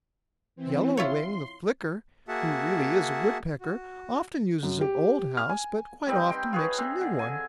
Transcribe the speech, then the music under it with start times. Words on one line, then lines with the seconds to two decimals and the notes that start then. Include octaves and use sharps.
Yellow Wing the flicker, who really is a Woodpecker, often uses an old house, but quite often makes a new one.
0.56 E3 C4
0.97 E4 F4 C#5 C6
2.28 A#3 F#4 G#4 E5 F#5 A5
3.61 F#4
4.63 F#2
4.81 G4
5.37 F6
5.49 G#5
6.07 G3 C4 D#4
6.30 G5 C6
6.53 F4 G#4 B4 C#5
6.78 C4
7.01 D3
7.19 G#5